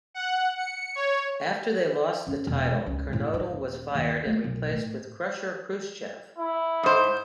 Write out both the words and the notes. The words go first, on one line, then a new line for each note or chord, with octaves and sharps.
After they lost the title, Kernodle was fired and replaced with Krusher Khruschev.
F#5
C#7
C#5
C#4
E1
C#2
A2
D#4
D#1
D#2
A3
B1
A2
E4
G#2 C5